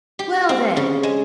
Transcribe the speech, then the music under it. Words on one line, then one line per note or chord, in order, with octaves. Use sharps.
"Well then!"
G4
C4
C#3
G#3